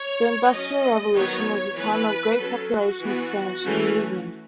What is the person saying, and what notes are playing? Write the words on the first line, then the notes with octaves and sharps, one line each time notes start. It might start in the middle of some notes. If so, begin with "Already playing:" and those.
The Industrial Revolution was a time of great population expansion and movement.
Already playing: C#5
F#3 C#4 D#5
D#3 F#3 B3 C#5
E3 B3 B4
F#3 C#4 A4
F#4
E3 B3
E3 A3 C#4